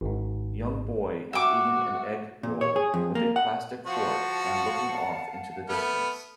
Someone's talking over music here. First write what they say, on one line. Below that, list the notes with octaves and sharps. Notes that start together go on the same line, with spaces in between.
Young boy is eating an egg roll with a plastic fork and looking off into the distance.
G#1 G#2
F#4 E5 D6
A#2
C#5
G#4
F2
A#3
F#5
F3 F#4 F5 F#5 A5
A3 B3 F6